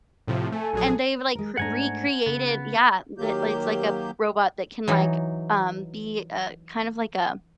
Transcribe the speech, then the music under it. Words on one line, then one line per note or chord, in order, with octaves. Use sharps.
and they've, like, cr recreated yeah, the li it's, like, a robot that can, like, um, be a kind of like a
A2 C3 F3
A3 A4 G#5
A#1 F#3 G#4
G#3 A#4
G#2 A3 D4 F#5 G#5 A#5
C#3 B3
D#3 F#3 A#3 G4 G6
E3 F#3 D#4